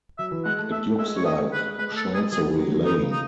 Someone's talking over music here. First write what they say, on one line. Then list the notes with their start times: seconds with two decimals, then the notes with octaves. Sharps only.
It looks like Chancery Lane.
0.18 F#3 E5
0.31 E3
0.44 G#3 F#5
0.58 A3
0.71 A3 E5
0.98 G#3 E5
1.16 C#5
1.25 A3 D#5
1.43 G#3
1.52 B4
1.61 G#3
1.78 G#3 B4
1.91 A3 A4
2.04 B3
2.14 G#4
2.18 G#3
2.31 F#3 G#4
2.45 E3
2.58 F#3
2.71 F#3
2.85 E3 D#4
3.03 C#3
3.12 D#4